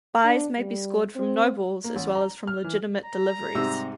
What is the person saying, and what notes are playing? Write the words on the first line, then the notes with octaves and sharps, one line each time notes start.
Byes may be scored from no balls as well as from legitimate deliveries.
D4
G3
C4
A#3
A1
A#5
F6
E3
A#5
G#2 C3 G3 C4 G4 E6